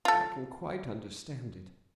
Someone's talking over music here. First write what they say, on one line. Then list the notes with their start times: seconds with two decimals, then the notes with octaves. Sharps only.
'I can quite understand it.
0.05 F4 A4